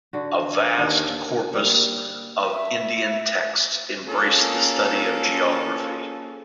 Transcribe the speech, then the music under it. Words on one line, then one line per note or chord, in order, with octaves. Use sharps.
A vast corpus of Indian texts embraced the study of geography.
D3 F#4
D#2 D4
A#3
G3
E5
A#3 C#4 F4 G#4 A4